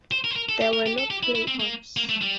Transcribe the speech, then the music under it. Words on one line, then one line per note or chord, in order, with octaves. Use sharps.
There were no playoffs.
C5
A#4
C5
A#4
A4
G4
A#4
G4
A4
G4
E4
E4
C4
A#3
A#3
A3
G3